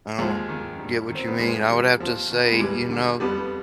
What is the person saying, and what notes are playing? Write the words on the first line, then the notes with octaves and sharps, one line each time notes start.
I don't get what you mean, I would have to say, you know,
D#2 F3 G#3
D#3
G2
D#3
C4
B3
F2 F3 G#3
D#3 G3
D#2 F3
D#3
B3
G#3
D#2 G3
D3
F2 G3 B3